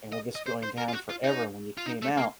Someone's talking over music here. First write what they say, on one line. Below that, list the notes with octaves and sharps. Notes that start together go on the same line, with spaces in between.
and were just going down forever, and when you came out,
D#5
D#5
C5
C5
A#4
F4
F#4
F4
D#4
F4
D#4
A3
A#3